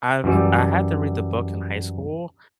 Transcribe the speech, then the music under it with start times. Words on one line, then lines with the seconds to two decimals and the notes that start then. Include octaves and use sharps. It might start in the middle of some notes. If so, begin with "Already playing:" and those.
I've I had to read the book in high school,
0.24 F#2 E3 G3